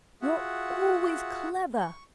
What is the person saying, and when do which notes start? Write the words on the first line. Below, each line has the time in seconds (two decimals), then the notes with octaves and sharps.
You're always clevah.
0.22 F4 F#4 G#4 E5 F#5
1.80 C#6